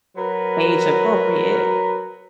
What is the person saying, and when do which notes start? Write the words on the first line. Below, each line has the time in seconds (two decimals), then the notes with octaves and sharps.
age appropriate."
0.17 F#3 A#4 B4